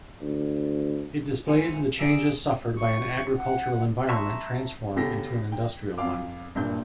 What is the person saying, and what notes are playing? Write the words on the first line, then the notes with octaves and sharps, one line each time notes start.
It displays the changes suffered by an agricultural environment transformed into and industrial one.
D2
C#2 G#2 E3 G#5 C6 C#6
G#4 D5 E5 A#5
C#6
F#5
E5 A5 A#5 C6 C#6
E2 C#3 G4 A4 A#6
G5
F2 F5 D6
F#1 G2 A#2 G6